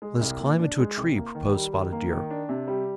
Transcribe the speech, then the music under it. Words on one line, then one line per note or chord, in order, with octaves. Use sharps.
"Let us climb into a tree," proposed Spotted Deer.
G#3
C2
A#2
D4
G#3
C2
A#3
D#3
G3
D#3
A#3
D#3
D4
C3
G3